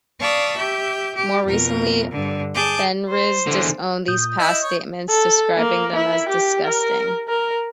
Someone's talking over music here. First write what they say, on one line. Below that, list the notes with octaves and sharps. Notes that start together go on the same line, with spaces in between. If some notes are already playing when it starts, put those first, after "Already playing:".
More recently, Fenriz disowned these past statements, describing them as "disgusting".
D5 F5 A5 B5 C#6 D#6
G4 E5 G6
G4
F2 B2 A#4
G2 D3
G#4 A5 D6 G6
C5
E2 D3
A#2 D#6 G6
E4 D#5 E5
C#5
A4
A#3
E4
G4
A#4
A#4